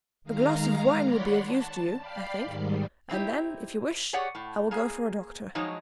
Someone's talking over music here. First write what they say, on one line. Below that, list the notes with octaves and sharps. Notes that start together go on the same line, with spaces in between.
"A glass of wine would be of use to you, I think, and then, if you wish, I will go for a doctor."
D#3 G#3 F5 A#5
C#5 D5 F#5 B5 C6
A5
D5 F5 G5 B5 C7
G#2 D#3 G3
C4 D#4 E4 G4
G4 G#4 C#5 D5 F#5
A2
A#3 G#4
F3 F#3 G#3 D#4 C#5 D#5